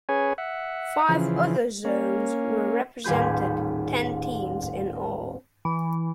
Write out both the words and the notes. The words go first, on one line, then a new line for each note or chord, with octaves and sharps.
Five other zones were represented, ten teams in all.
C#4 G#4 B4 C#5 G#5
E5 F#5
C#3 E3 F3
A#3 C#4
D#1 A1 G#4 B4 G6
E3